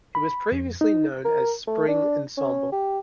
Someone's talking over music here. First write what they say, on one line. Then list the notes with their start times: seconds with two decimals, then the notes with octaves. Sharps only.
It was previously known as Spring Ensemble.
0.15 B5
0.52 F2
0.81 D#4
1.25 A#4
1.67 A3
1.88 D4
2.37 C#4
2.72 G4